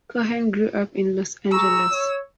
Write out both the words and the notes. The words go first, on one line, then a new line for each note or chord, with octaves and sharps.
Cohen grew up in Los Angeles.
G#4 A#5 C#6 E6
C#5